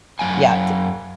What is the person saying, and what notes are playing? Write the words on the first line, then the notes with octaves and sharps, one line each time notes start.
Yeah, t
F#2 G#3 F5 G#5